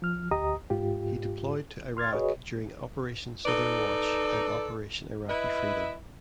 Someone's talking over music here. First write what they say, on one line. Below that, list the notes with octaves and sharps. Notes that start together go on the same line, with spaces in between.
He deployed to Iraq during Operation Southern Watch and Operation Iraqi Freedom.
F3 F6
D2 G4 D#5 A#5 D#6
G#2 F4 G4
C6 F6 G#6 A6
F#4 G#4 B4 C#5 D#5
D#4 A4 B4 D5
E4 B4 D#5 E5